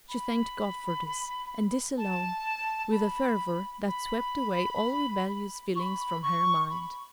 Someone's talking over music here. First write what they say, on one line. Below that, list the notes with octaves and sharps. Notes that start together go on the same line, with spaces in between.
She thanked God for this, and this alone, with a fervour that swept away all rebellious feelings from her mind.
B5
A5
B5
B5
C#6
B5
C#6
B5